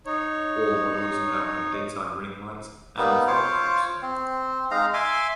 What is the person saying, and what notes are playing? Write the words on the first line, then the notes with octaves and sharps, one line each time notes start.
All models now had daytime running lights, and fog lamps.
D#4 C#5
G3 A#3 B3 D#4
F4 C5 C#5 D6
C4
G#3 D#4 F5 A#5
E5 G#5 C6 D6